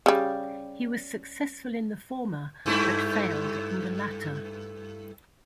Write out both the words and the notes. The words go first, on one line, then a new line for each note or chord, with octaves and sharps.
He was successful in the former but failed in the latter.
C#3 G3
G2 A3 E4